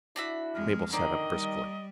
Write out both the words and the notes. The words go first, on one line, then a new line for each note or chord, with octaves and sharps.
Mabel sat up briskly.
D4 E4 F#4 E5
F2 G#3 F6
D3 D#3 A#3 D5 D#5
G3